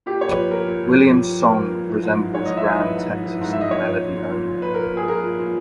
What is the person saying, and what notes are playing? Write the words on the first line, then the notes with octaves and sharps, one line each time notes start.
Williams' song resembles "Grand Texas" in melody only.
A#2 G4
A#2 C#5
B4
A#2
A#2 A#4
A#2
A#2
A#2
A#2
A#2
A#2 A#4
A#2
A#2
E3
G#2
E3
G#2 C#5
E3 D#5
E5
E3 D#5
E3 B4
G#2
E3
E3
G#2
G#2 E5
D#5
A#2 C#5
A#2
A#2
A#2
A#2
A#2
A#2 B4
A#2 A#4
A#2 G#4
A#2 A#4
A#2
A#2